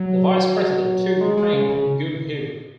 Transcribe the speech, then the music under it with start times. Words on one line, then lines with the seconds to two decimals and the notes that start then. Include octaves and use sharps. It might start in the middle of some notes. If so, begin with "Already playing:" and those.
The Vice President took the prank with good humor.
Already playing: F#3
1.21 G#3
1.37 G#3
1.53 C#3
1.69 C#3